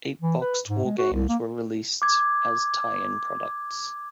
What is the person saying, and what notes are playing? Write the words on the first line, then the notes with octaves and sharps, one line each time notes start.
Eight boxed wargames were released as tie-in products.
E3
B4
G#2
G#3
F#4
C2
A#3
D6 G#6